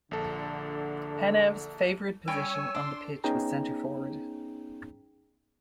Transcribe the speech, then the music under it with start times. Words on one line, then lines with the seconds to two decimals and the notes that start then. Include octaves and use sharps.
Penev's favourite position on the pitch was centre forward.
0.11 A#1 D3 A4
2.28 G3 C#4 C#5 G5 G#5 E6
2.75 D4 C6
3.24 B3 C#4 D#4 G#4 G5 A#5